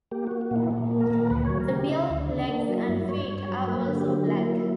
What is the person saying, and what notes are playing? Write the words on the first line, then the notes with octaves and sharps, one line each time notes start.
The bill, legs and feet are also black.
A#3 G4
A#3 F#4
F#4
A#2 E4
A#2
A#3
A#4
A#2
D2 B4
C#5
F#3
A#4
C#3
G4
C#3 E4
D2
D4
C#3
A#3 D4
F#3
E4
G2
G2 C#5
G2
C#5
F#3
A#3 B4
D3
G4
F#3
A#3 E4
F#3
E4